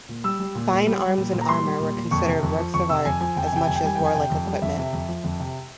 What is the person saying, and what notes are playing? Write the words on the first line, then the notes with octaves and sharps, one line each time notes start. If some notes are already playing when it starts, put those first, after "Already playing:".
Fine arms and armour were considered works of art as much as warlike equipment.
A#2
G3 E6
G3
A#2
A#2
G3
G3
A#2
A#2
A#5
G3 C6
G3
A#2
A#2
F2 C#6
C3
F2
F3
F2 C#6
C3 E6
F2 G#5
F3 G#5
F2 G5
G#5
C3 G5
F2 G#5
G5
G3 G#5
F2 G5
G#5
C3 G5
F2
G3
F2 E5
C3
F2
F3
F2
C3